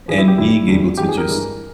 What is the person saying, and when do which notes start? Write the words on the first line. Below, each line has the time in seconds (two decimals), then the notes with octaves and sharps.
And being able to just
0.08 G#2 E3 G3 G#4
0.18 E4
0.28 G4
0.38 E2 D#3 G3 E4
0.68 E2 D#3 G3
0.97 G2 E3 G#3 G4
1.09 G#4
1.17 A#4
1.28 G2 E3 G#3